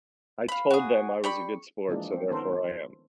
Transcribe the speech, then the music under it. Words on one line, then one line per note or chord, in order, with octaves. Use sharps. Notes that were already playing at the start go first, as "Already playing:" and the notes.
I told them I was a good sport, so therefore I am,
F5 B5
F#4 G#4
G4 D5 B5 C#6
E3 F3 G#3 A#3 D4
C4
D#3 B3 C#4 A4 A#4 C5